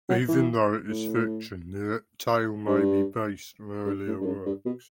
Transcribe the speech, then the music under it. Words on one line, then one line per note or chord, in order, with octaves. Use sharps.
Even though it is a fiction, the tale may be based on earlier works.
F#3
E3
A2
G2
G2
A2
G2
F#2
G2
B2